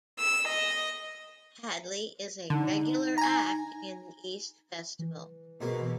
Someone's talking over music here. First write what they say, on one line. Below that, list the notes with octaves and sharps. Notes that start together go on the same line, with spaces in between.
Hadley is a regular act in The East Festival.
E6
D#5
D3 D#4
G#5 A#5
E3
G#2 B2 F#3 A#3